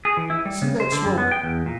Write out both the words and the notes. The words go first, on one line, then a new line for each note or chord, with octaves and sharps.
See that smoke?
G#4
E3
E4
G3
C#3
C5
D3
F#2
B3
G5
E2
A#2